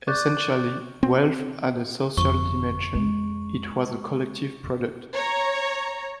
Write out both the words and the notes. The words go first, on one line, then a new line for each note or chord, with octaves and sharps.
Essentially, wealth had a social dimension; it was a collective product.
D5 C#6 D6 F#6 G6 A6
C4
G1 F2 C#6
G#3
C#5 A#5